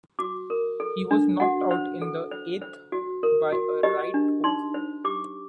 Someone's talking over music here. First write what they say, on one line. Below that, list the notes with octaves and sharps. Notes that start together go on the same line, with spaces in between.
He was knocked out in the eighth by a right hook.
F#4 D6
A#4
A4
D4
F#4 F#5
C5
A4
C5
C5
F#4
A#4
F#4
G4 D#5
D4
D#4 C6
C5
G4 D6